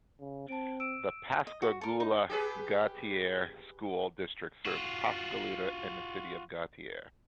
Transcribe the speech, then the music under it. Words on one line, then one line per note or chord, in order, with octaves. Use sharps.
The Pascagoula-Gautier School District serves Pascagoula and the City of Gautier.
C#3
C4 A5 D7
E6 D7 E7
D#5
F#4
A4 A#4
D#4
G4 G#4 B4
F4 F#4